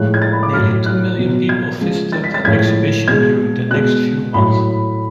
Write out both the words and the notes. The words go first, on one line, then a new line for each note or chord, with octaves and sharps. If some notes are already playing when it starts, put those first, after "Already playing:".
Nearly two million people visited the exhibition during the next few months.
Already playing: A2 F3 G#3 F#6
G#6
A6
B5
D6
F#3 F6
A2
F#6
B2 F#3
G#6
C#3 F3 G#3
A6
B6
A6
A2 F3 G#3 G#6
B2 G#3 G#6
B2 G#3 F#6
A2 F#3 B5